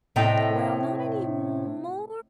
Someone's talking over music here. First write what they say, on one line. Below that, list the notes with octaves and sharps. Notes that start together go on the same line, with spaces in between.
Well, not anymore
A2 C3 A3 D#5 G5 A#5